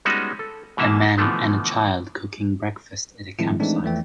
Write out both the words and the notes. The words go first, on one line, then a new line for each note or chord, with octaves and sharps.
A man and a child cooking breakfast at a campsite.
G3 G#3 B3 C#4 D#4 F#4
A4
G#2 B2 E3 A#3 E5
B2 D3 E3 F3 A3 B3
A2 D#3 F3 G#3 C4 E4
E3 G#3 A3 C4 D4 D#4
E2 E3 F3 A3 G5